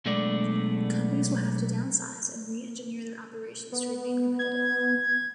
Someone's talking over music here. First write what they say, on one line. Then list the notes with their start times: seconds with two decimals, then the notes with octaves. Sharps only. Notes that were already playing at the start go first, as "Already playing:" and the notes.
Companies will have to downsize and re-engineer their operations to remain competitive.
0.06 B1 G#3 A3 B3 D4 D5
3.72 B3
4.39 G#6